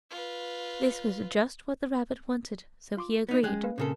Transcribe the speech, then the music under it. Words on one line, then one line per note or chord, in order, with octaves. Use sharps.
This was just what the rabbit wanted, so he agreed.
F4 B4
F4 C6 D6
B3 D#4
G#3 C#4 G5 F#6
A#3 B4 F5
A#2 C#3 C4 A4 A#4